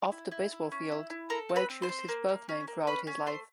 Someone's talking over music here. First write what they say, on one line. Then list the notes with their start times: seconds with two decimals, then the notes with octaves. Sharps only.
Off the baseball field, Welch used his birth name throughout his life.
0.12 E4
0.31 E4
0.52 E4
0.72 C#4
0.92 E4
1.10 E4
1.30 A4 A#4 A#5
1.49 C4
1.56 B4 B5
1.70 C4
1.82 C5 C6
1.89 C4
2.08 A#3
2.29 A#3
2.49 C#4
2.67 A#3
2.87 C#4 B4 B5
3.07 C#4
3.26 A3 C5 C6